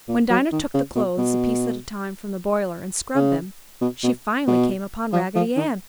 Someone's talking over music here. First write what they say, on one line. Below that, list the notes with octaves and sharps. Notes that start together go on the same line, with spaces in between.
When Dinah took the clothes a piece at a time from the boiler and scrubbed them, she finally came upon Raggedy Ann.
A#2
F#3
D#3
C#3
B2
B2
C#3
B2
B2
B2
F3
F3
D#3